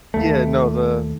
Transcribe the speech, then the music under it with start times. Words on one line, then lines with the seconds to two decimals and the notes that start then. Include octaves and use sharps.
Yeah, no the
0.14 D#2 A3